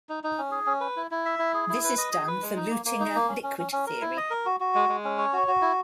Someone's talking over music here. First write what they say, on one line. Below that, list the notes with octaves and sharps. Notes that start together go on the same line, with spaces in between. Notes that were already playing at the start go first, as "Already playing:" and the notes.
This is done for Luttinger liquid theory.
D#4
D#4
C#4
G#4
C#4
B4
E4
E4
E5
E4
G#4
E4
B4
D#5
G#4
B4
G#3
D#4
A#3
A#3
D#4
A#3
C#4
C#4
C#4
C#4
A#4
E4
D#5
A#4
F#4
F#4
G#3
G#3
C#4
C#5
F#4
F#4
E4